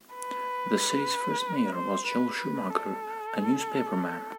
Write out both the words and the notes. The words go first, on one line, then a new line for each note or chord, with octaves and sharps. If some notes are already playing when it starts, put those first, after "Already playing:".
The city's first mayor was Joel Shomaker, a newspaperman.
B4
C5
B4
B4
A4